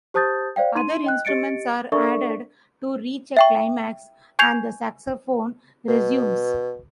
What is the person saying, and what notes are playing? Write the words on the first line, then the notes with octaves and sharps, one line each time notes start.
Other instruments are added to reach a climax, and the saxophone resumes.
G4 C5 A5 D#6 G6 A6
C5 D5 F5 G5
D#4 C6 D#7
D#5 G5 F#6
G4 D#5 A6 C#7 D7
D4 A4 A#4 D5 E5 C#6
E5 G5 C#6
G#5 C#6 G6 G#6 C7 F7
B2